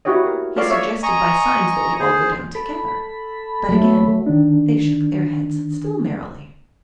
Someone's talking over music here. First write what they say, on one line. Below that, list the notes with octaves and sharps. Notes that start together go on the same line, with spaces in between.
He suggested, by signs, that we all go down together; but again they shook their heads, still merrily.
E4 F#4 G4 C#5 D#5
A#4
F4 A4 C#5 D5 F5
C#5 E5
D#5 G#5 A#5 C#6
G#4 C5
A4 B5
F#3 A3
D#3 D4